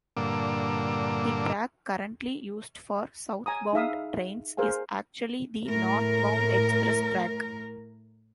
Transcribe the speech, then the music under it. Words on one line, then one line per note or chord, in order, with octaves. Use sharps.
The track currently used for southbound trains is actually the northbound express track.
G2 A#2 D3 A#3 D6 E6
G#5 A#5 D#6
D#4 G#4 E5 F5 D#6
G#4 A#4 C5 F5 G#5
A2 A#4